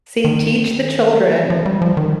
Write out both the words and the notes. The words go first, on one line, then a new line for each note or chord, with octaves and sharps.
See, teach the children.
D#3
F3
G3
F3
D#3